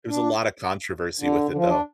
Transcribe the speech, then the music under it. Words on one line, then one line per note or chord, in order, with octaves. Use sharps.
there's a lot of controversy with it though.
D4
D3
D3
F3
D4